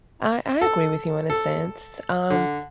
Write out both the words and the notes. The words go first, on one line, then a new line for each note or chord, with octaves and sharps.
I I agree with you in a sense, um,
A4
A4
D3